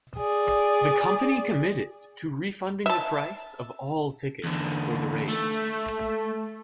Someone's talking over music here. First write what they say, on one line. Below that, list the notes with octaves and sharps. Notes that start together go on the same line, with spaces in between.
The company committed to refunding the price of all tickets for the race.
G#4 D5
E5 A5
E2 D3
A3